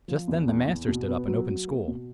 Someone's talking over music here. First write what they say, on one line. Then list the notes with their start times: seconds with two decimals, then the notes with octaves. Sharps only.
Just then the master stood up and opened school.
0.08 F3
0.28 E2
0.48 E2
0.67 E2
0.88 B2
1.08 B3
1.28 F#3
1.47 F#3
1.67 A#3
1.88 B2